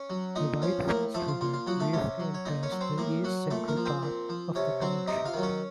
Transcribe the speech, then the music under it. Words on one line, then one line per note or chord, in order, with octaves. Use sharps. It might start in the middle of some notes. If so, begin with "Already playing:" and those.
The Whiteface River briefly enters the east-central part of the township.
Already playing: C#4 C#5
F#3
A#2 D#4 D#5
F3 C#4 C#5
A2 A#3 A#4
F3 A3 A4
F4
A#2 F4
F4
F3 F#3 F#4
A3 A4
C3 C#4 C#5
F#3
C#5
A#2 D#4 D#5
C#4 C#5
F#3
C4 C5
A2 A#3 A#4
F#3 F#4
A#2 A3 A4
A#3 A#4
F3
C4 C5
A#2
F3
C3 C#4 C#5
F#3 C4 C5
C3 D#4 D#5
F4 F5
D#3 F#3
C#4 C#5